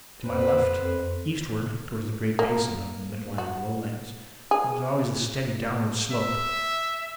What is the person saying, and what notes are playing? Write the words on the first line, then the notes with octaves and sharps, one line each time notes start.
To my left, eastward toward the great basin of the mid-Atlantic Lowlands, there was always a steady downward slope.
F2 B3 B4 C5
F2
A#3
F#4
G#4
E5